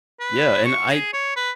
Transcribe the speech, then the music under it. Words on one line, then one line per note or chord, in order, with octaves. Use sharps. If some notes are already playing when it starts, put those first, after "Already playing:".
Yeah, and I
B4
C#6
G#4
C#5
B4